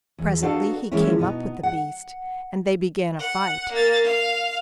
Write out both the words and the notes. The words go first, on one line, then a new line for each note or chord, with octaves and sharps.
Presently he came up with the beast, and they began a fight.
E2
B3 D4 D#4 F#4 A4 F5
E3 G#3 A#3 C4 C#4 E4
B2 B3 D#4
F#5
F#5
A#3 A6
F5